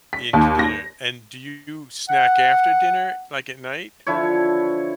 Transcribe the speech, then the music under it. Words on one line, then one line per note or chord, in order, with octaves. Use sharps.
into dinner. And, do you snack after dinner, like, at night?
B6
D#2
A#6
F#5
D3 F3 E4 C#5